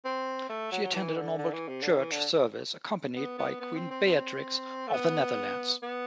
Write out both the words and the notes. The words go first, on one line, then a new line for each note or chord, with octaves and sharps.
She attended a normal church service, accompanied by Queen Beatrix of the Netherlands.
C4
A3
F#3
F#3
E3
D3
D3
E3
C3
D3
E3
D3
B3
B3
B3
C4
C4
C4
A3
B3
B3